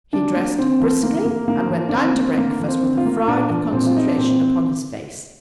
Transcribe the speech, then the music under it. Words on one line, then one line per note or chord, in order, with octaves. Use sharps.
He dressed briskly and went down to breakfast with a frown of concentration upon his face.
D3 D4
A#3
D3 C4
F3
D3 A#3
A#3
D3 A#3
F3
D4
D3 C4
A#3
D3 A#3
F3
C4
D3
F4
A#3
A#2 D4
F3
A#2 C4
F4
G#3 D#4
D4
A#2 C4